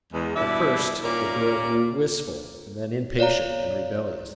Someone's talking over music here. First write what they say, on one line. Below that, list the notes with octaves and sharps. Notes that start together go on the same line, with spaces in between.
At first the girl grew wistful and then impatient and rebellious.
E2 G#3
G2 B2 E4 D5 E5
D#2 A#2 A#3 C#4 A#4 D5
C#5 D5 F5 A#5